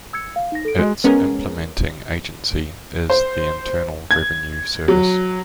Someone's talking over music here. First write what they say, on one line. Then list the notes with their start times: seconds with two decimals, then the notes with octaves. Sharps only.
Its implementing agency is the Internal Revenue Service.
0.13 E6 G#6 C#7
0.36 F5
0.52 D#4 A#6
0.65 A4 D7
0.79 G#3 F#4 D#5
1.04 G#3 B3 C#4 G#4 A#4
3.10 C5
4.11 G#6
4.88 F#3